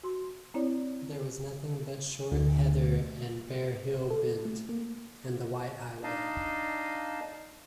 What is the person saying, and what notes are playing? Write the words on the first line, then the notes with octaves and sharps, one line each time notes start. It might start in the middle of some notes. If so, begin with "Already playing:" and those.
There was nothing but short heather, and bare hill bent, and the white highway.
F#4 C6
C4 E4 C#5 D5
D2
A4
A3
A#3
D4 D#4 D#5 F5 A5